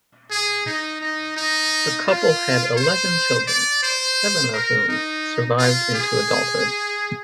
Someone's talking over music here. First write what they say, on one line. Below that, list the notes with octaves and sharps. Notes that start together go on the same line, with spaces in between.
The couple had eleven children, seven of whom survived into adulthood.
G#4
D#4
D#4
D#4
F4
C5
D5
C5
A#4
D#4
F4
G#4